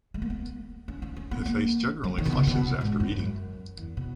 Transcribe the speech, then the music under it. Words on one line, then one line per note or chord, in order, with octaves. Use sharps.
The face generally flushes after eating.
G#3
A#3
B3
C#4
C#4
C#4
B3
A#3
F#3
D#3
B2
C#3
B2
G#2
F#2
F#2
E2
B2